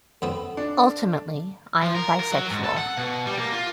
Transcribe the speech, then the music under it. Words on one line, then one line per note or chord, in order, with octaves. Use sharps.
Ultimately, I'm bisexual.
F2 B3 C4 A4
D4
F3
A#4
A#4
F#3
G#2
A4
F#5
B2
G3
A#3
F4